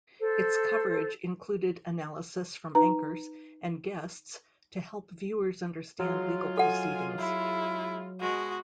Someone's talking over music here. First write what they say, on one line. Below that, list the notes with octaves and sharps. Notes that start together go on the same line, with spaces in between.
Its coverage included analysis from anchors and guests to help viewers understand legal proceedings.
A4 C5
D#4 B4 A#5
F#3 G#3 F4
A4 F#5 G#5
E4
B2 G#3 F#4